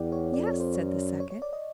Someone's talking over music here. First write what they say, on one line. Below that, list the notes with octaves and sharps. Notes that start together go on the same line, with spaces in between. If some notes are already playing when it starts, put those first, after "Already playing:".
"Yes," said the second.
Already playing: E2 D5 F#5 G5
C#5
F2 D5
C#5
C5
F#2 C#5
C#5
C#5
D5
D#5